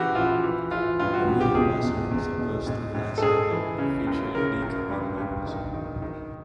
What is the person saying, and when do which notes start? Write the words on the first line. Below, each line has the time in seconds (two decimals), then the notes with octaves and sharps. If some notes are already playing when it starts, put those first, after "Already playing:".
The medial masseter muscle goes through the eye socket, a feature unique among mammals.
Already playing: C#3 E3 F#4 G4
0.15 E3 F4
0.43 E3
0.71 E3 F4
0.99 G2 F4
1.14 F#4
1.27 G2
1.41 G4
1.55 B2 G#4
1.83 E2
2.11 E2
2.38 B2
2.67 G#2
2.95 G#2
3.18 A4
3.22 G#2 G#4
3.51 E3
3.78 C#3
4.07 F#2
4.35 C#3 A#4
4.62 F#2
4.90 G2
5.18 G2
5.46 D#3
5.73 D#3
6.02 D#3